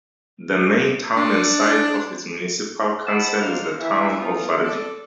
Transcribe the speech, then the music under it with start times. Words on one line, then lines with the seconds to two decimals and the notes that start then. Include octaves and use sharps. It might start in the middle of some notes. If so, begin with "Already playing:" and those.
The main town and site of its municipal council is the town of Varde.
1.16 D4
3.06 C5 D#5 F#5 A5 B5
3.40 G#2 C#3 D4 D#4 C5 F5
3.80 E3 E5
4.19 E3 B3 D#4 F4
4.63 C4 A4 D5